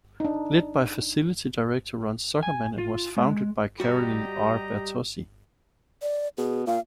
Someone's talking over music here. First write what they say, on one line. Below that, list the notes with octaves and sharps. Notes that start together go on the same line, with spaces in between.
Led by Facility Director Ron Zuckermann and was founded by Carolyn R. Bertozzi.
D4 D#4
G#5
F4
G#3
G3 F#4 G4 D#5 A#5
D5
B2 G#4
A#2 F5